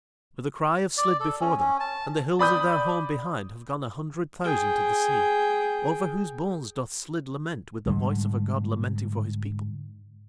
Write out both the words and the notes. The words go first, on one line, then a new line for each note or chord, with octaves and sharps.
With the cry of Slid before them and the hills of their home behind have gone a hundred thousand to the sea, over whose bones doth Slid lament with the voice of a god lamenting for his people.
D5
A4
C#4
C#4
A5
D5 B5 D#6 G6
G#4 G5
G#2 D3 G3